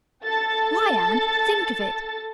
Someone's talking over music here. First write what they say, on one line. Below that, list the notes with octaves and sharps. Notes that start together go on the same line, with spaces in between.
Why, Anne, think of it!
A4 A5 A6